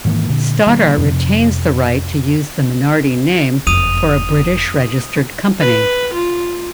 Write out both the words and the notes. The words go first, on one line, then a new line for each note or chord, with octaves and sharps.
Stoddart retains the right to use the Minardi name for a British-registered company.
G#2 D#3 E3 A#3
A#2 D3
B2 D#3 G3 A#3
F2 C3
F#1 F2 D#6 D#7 F7
B4
F4